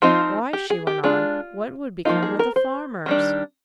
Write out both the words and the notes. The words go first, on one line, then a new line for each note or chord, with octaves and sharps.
'Why,' she went on, 'what would become of the farmers.'
F3 C4 D#4 F4
G4
G#4
G4
G#3 D4 F4
F3 A#3 D#4 F4
G#4
A#4
C5
D#3 G3 D4